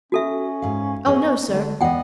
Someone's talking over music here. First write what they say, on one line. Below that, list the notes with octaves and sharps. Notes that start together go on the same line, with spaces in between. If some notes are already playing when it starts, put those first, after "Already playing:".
Oh, no, sir!
C#4 F#4 A4 E5
G#2 F5
B3 C#4 G#4 D#5 C#6
D3 G#3
E2 B3 D5 D#5 F#5 G5